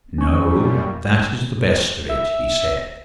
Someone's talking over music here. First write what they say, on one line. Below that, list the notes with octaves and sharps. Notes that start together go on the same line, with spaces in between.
"No--that is the best of it," he said.
F#2 A#2 G3 C#4 C#6
E5